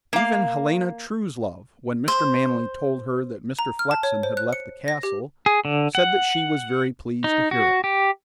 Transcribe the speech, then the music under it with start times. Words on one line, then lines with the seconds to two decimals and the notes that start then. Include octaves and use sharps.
Even Helena Truslove, when Mr. Manley told her that Mr. Flexen had left the Castle, said that she was very pleased to hear it.
0.13 A#3 F5
2.08 C5
3.59 A#5
3.79 F6
3.91 A5
4.03 C#5
4.23 C5
4.37 F#6
4.53 C#7
4.88 A#6
5.03 G4
5.46 G#4
5.65 D3
5.95 F#5
7.24 D#4
7.51 F#4
7.84 G4